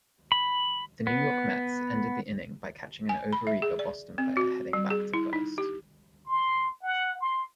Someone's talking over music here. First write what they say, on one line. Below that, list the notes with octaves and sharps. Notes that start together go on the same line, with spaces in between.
The New York Mets ended the inning by catching an overeager Boston player heading back to first.
B5
B3
G#5
B5
E5
G#4
D5
C4
F#4
G3
G#4
E4
D#4
G4
C6
F#5
C6